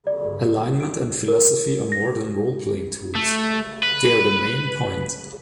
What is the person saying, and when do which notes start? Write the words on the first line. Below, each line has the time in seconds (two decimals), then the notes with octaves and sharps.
Alignment and philosophy are more than roleplaying tools -- they're the main point.
0.07 D5
0.81 D7
1.28 A#4
1.92 A#6
3.15 A3
3.83 B4